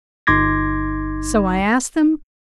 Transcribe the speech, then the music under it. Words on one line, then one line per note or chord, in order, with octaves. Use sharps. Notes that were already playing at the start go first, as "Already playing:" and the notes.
So I asked them.
G1 D#4 C6 D6 G#6 A#6